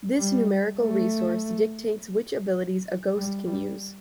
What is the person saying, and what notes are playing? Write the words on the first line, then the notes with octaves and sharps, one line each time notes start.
This numerical resource dictates which abilities a ghost can use.
G3
A3
G3
G3